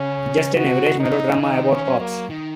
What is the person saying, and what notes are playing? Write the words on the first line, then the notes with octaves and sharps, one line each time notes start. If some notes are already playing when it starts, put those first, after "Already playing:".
Just an average melodrama about cops.
Already playing: C#3 C#4
F#4
D#4
C#3
D#3 D#4
C#4
F#3
A#3
D#3